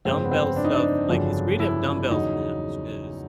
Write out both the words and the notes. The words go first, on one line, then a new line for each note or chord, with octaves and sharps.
dumbbell stuff, like, it's great to have dumbbells in the house 'cause
G1 F2 C#3 F3 G#3 C4
B3
C4
D4
D#4
D4
G1 F2 C#3 F#3
E4
E2 C#3 F#3 D#4